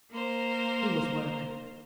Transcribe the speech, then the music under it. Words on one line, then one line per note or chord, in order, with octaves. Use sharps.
He was wermin!
A#3 A#4 C5